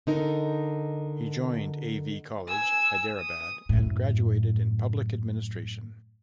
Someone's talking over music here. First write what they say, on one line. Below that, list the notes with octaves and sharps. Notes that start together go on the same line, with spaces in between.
He joined A. V. College, Hyderabad and graduated in public administration.
D3 D#4 A#4
G#5 E6
D#6
F#2 A2